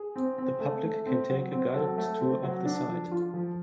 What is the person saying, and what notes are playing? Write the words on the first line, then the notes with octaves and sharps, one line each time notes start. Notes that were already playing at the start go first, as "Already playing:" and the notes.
The public can take a guided tour of the site.
Already playing: G#4
C4
C4
A3
A3
C4
F#3
C4
F#3 A4
A3
C4
F#3
D4
F3
F4
F3